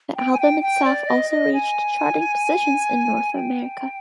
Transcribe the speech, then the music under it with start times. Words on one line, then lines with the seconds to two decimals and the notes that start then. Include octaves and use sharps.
The album itself also reached charting positions in North America.
0.16 G5
0.33 G#5
0.40 G5
0.62 G5
0.85 D5
1.07 D#5
1.30 D#5
1.53 G#5
3.34 G5